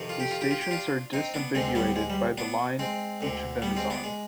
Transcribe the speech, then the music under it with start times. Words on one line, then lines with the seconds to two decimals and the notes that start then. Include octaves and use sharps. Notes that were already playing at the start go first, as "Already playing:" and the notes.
These stations are disambiguated by the line each of them is on.
Already playing: F2 C3 D#3
0.09 F4
0.20 G4
0.31 F4
0.41 G4
0.51 F4
0.61 G4
0.71 D4 F4
1.13 C4 D#4
1.34 B3 D4
1.55 D2 D3 G#3 C4
1.75 G3 B3
1.96 G#3
2.10 G3
2.38 B3 D4
2.79 G#3 C4
3.21 D2 D3
3.62 G3 B3
3.76 G#3 C4
3.90 B3 D4
4.04 G#3